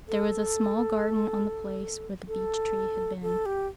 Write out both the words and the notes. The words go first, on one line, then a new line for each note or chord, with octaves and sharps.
There was a small garden on the place where the beech-tree had been.
A4
A4
A4
G4